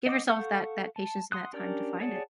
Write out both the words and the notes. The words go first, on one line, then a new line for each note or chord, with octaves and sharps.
give yourself that that patience and that time to find it.
D#5 F#5 D6 D#6
A4 F5 F#5 C#6 G6
A5
F#5 C6 D#6 F#6
C#4 D4 G4 A#4 D5
G#4 C#5 D5 F#5 A5